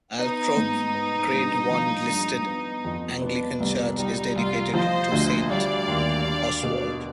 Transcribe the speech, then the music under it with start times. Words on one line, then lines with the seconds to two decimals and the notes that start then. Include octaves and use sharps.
Althorpe Grade One listed Anglican church is dedicated to Saint Oswald.
0.19 B3 D#4
0.57 G#2
0.95 B3
1.33 G2
1.70 F3
2.09 G2
2.46 B3
2.85 F2
3.22 B3 D4
3.60 C2
3.98 G3 D#4
4.36 C2 F4
4.73 F3 C5 D#5
5.12 D2
5.49 G3 D5 F5
5.88 D#2
6.25 D4
6.63 B2